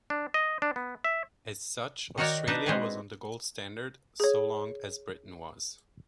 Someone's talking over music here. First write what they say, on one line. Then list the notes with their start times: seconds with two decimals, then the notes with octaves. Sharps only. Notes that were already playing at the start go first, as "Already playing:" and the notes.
As such Australia was on the gold standard so long as Britain was.
0.10 D4
0.34 D#5
0.62 D4
0.76 B3
1.04 E5
2.18 D#3 D#4 F#4 A#4 C#5 D5
2.47 D4 D#4 B4 D5 A5
2.66 G#3 C4 F#4 G#4 B4
4.20 G#4 C#5